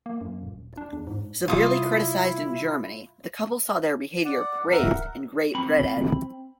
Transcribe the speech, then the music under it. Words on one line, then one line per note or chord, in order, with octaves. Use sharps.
Severely criticised in Germany, the couple saw their behaviour praised in Great Britain.
A#3
F#2
D#1
D4
E2
G#2
C3 G3 E4 F4 D#6
D5 F#5
A#4 E5 F#5
C4 B5